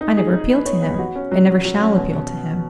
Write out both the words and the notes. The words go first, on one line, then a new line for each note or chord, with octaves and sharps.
I never appeal to him, and never shall appeal to him.
D#4
G#4
D#4
B3
C#5
B3
F#4
C#4
F#3
F#3
F#3
C#4
B2